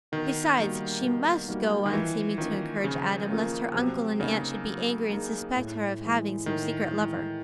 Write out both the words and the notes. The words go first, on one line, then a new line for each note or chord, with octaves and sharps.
Besides, she MUST go on seeming to encourage Adam, lest her uncle and aunt should be angry and suspect her of having some secret lover.
B2 D#3
G3 A#3 D#4 F#4
B2
G3 A#3 D#4 F#4
D#3
E3 F3
D#3 A#3 C#4 F4 A#4
C#3 F3
A#3 C#4 F4 A#4
C3 F#3
C#3 A#3 D#4 G#4
F#3
A#3 D#4 G#4
A2
E3 G#3
A2 D#3
E3 G#3